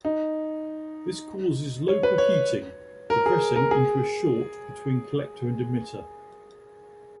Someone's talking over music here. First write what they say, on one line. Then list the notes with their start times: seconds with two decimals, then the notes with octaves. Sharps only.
This causes local heating, progressing into a short between collector and emitter.
0.05 D#4
1.88 C#5
2.03 B4
2.18 C#5
3.10 A#4
3.26 G#4
3.56 A#4
3.71 G#4